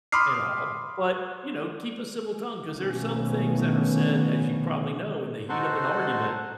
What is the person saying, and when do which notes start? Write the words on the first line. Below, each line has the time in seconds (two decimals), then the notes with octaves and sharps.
and all, but, you know, keep a civil tongue, 'cause there are some things that are said, as you probably know, in the heat of an argument,
0.12 B5 C6 D6 D#6 F6 C7
2.77 B2 D#3 F3 A3 B3 C#4
5.49 D#4 F#4 A4 C5 F#5 C6